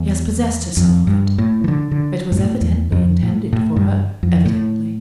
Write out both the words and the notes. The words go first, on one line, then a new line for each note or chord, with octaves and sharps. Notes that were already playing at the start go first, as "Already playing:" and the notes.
She has possessed herself of it; it was evidently intended for her--evidently.
Already playing: E2
F2
G2
A2
E3
D3
D3
G2
A2
E2
F2
A2
A2
G2
F2
A2